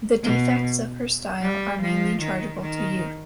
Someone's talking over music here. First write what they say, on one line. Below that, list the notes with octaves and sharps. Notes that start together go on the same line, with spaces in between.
The defects of her style are mainly chargeable to youth.
B2
G3
F3
D#3
D#3